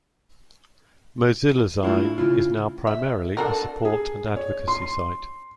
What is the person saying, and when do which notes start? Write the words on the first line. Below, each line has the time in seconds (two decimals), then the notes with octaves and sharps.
MozillaZine is now primarily a support and advocacy site.
1.83 A3 C#4 D4 E4 F4
2.18 C#3 E4 F4
2.87 E5
3.37 D4 F#4 A4 A#4
3.85 G#4
4.37 C#5
4.68 C6